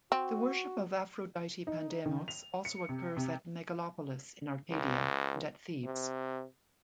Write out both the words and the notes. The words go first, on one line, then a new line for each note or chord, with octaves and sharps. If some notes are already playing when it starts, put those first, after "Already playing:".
The worship of Aphrodite Pandemos also occurs at Megalopolis in Arcadia, and at Thebes.
C4 F#4
D#4
D#3
F7
C#7
C3
C3
C#2
C3